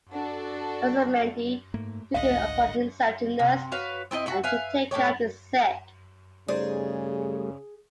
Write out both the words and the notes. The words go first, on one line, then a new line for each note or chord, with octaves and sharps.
Arizmendi, took it upon himself to nurse and to take care of the sick.
D4 F#4 A4
G#2 A3 A#3
G#1 C#2 A2 D3 D#5 F5 F#5
C3
F#4 B4 C#5 F5
C4 E4 G#4 D#5
F#4 E5 F#5
B4 E5 F5 G#5
A2 E4 G4 C#5
C#3 G3 A3 D#4 G#4 C5 D5